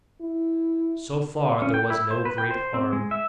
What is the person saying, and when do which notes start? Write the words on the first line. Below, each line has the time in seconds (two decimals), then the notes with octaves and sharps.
So far there was no great harm.
0.21 E4
1.62 C#4
1.74 G5
1.90 E4
2.11 C5
2.25 B4
2.38 G5
2.51 C5
2.74 C4
2.93 G#3
3.11 E5